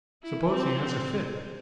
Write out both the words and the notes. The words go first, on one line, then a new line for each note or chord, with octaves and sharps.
"Suppose he has a fit!"
E4
C4